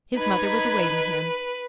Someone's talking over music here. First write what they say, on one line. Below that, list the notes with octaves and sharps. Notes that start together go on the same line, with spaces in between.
His mother was awaiting him.
D#4 B4 B5 G#6